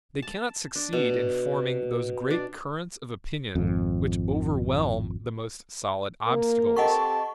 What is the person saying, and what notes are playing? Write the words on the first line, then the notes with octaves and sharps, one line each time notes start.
They cannot succeed in forming those great currents of opinion which overwhelm the most solid obstacles.
A5
D4
B2
D4
G#1 F2
A#3 A#4
C4 G4 A4 D#5 F#5 A5 C#6